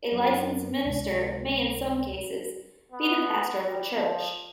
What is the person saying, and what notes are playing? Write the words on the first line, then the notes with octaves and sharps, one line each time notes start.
A licensed minister may, in some cases, be the pastor of a church.
F#2
C#2 C3 G#3
B3
G3
F3